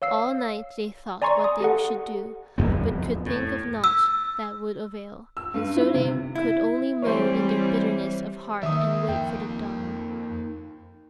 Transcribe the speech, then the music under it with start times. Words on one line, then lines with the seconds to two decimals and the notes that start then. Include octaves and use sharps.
All night they thought what they should do, but could think of nought that would avail, and so they could only moan in their bitterness of heart and wait for the dawn.
0.02 C#5 F5 E6 C7
1.22 D5 G#5 A#5 C6 C#6
1.44 D#6
1.60 G4 A4 F#5
2.58 D1 G1 F2 B3
3.26 A2
3.84 E6
5.37 E6
5.54 G2
5.76 E4
5.94 C3
6.35 E4
7.02 E3 G3 C4 C5 C#5
8.63 D#3 A#3 D#4 E5 D#6
9.09 F2 G5